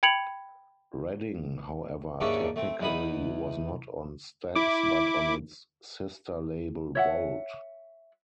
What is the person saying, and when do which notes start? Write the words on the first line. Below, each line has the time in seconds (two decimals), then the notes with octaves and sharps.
Redding, however, technically was not on Stax, but on its sister label Volt.
0.03 G5 B5 G#6 C#7 F7 F#7
2.21 D#2 G#2 C#4 D4 E5 C#6
2.56 A3 C4
2.80 E2 E3 D#4 B5 D#6
4.56 E4 D6
6.95 C#5 E5 F#5